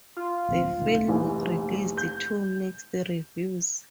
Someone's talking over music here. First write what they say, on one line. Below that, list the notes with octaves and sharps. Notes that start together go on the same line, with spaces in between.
The film released to mixed reviews.
F4
D1 A#1 C4
D#1 C#2 D#3
F1 A#1 E3
G6